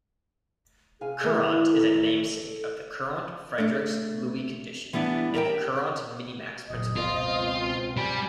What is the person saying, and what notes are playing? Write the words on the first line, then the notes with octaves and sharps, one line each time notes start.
Courant is a namesake of the Courant-Friedrichs-Lewy condition and the Courant minimax principle.
C3 G#4 F5 G#5
D#3 E3 A3 E5
A4
A3 D4
E3 G3 B3 D4
G4 A#4 D#5 G5
F#1 A#2 D#5
C#2 B2 C4 F4
G3 G#5